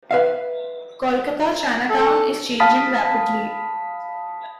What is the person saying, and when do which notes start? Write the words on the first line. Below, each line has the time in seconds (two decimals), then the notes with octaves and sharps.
Kolkata Chinatown is changing rapidly.
0.11 B4 E5 F5
1.89 A4
2.60 F5 A5 B5 D#6 B6